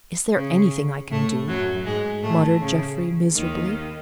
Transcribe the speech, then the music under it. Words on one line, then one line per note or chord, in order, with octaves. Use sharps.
"Is there anything I can do?" muttered Jeffrey miserably.
C#3
A2 A3
F#2 F#3
G#2 G#3
A2 A3
C#3
D#2 D#3